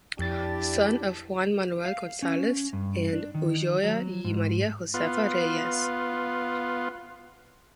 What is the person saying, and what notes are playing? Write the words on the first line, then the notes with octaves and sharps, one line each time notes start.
Son of Juan Manuel González and Ulloa y María Josefa Reyes.
F2 D4 E4 G4 A6
F5
C#4
G2
D4
D#3
F#3
G#2
B3 F4